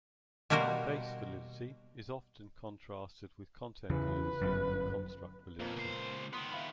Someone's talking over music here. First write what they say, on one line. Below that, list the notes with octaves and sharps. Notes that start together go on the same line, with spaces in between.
Face validity is often contrasted with content validity and construct validity.
B2 G3 A#3 F#4 A#4 C5
E2 C#3 E3 B4
G1 F#2
F2 A#2 A#3 B3
C#2 C5
D#3 B3 C6 D#6
E5 F5 B5